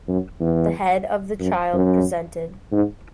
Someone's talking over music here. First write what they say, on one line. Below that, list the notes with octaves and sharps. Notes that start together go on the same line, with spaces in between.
The head of the child presented.
F#2
E2
F#2
F#2
G#2